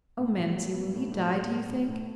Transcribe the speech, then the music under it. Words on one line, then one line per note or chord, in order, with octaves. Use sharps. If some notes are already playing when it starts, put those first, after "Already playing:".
"Oh, mamsie, will he die, do you think?"
A2
A2
F#3
B3
A2
A2
F#3
B3
A2
A2